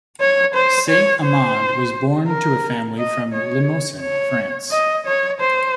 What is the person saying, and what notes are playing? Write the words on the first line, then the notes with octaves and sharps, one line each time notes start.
Saint Amand was born to a family from Limousin, France.
C#5
C5
C#5
C5
A#4
D#5
C#5
C#5
D#5
C#5
C5